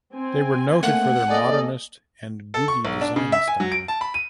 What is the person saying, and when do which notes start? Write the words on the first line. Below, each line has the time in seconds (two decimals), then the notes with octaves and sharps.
They were noted for their Modernist and Googie design style.
0.15 C4 G#5
0.83 A3 A#3 F#5
1.28 A#3 A4 D5 D#5 G#5
2.54 A4
2.68 C#6
2.85 B1
3.01 D4
3.16 C#3
3.32 E5
3.48 G#5
3.60 F#3
3.72 D7
3.88 A5
4.01 B5
4.14 D#7